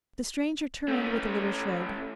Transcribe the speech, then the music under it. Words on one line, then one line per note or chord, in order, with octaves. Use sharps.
The stranger turned with a little shrug.
A3 C#4